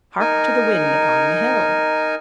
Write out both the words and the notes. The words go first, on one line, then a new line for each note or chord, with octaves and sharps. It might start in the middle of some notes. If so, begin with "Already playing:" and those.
Hark to the wind upon the hill!
D#4 A#4 G#5